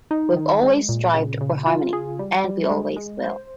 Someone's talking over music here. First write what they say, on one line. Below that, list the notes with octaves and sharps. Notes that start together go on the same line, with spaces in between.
We've always strived for harmony, and we always will.
D#4
D#3
G#3
A#2
C#3
C#3
F4
G#4
G3
G3
G#3
G#3
C5